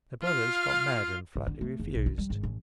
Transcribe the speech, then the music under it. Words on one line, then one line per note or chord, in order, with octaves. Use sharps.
The "brothers" got mad and flatly refused.
F4 F5
G#1
D3
A3
F#1
B1
E4
G3
G#1
A1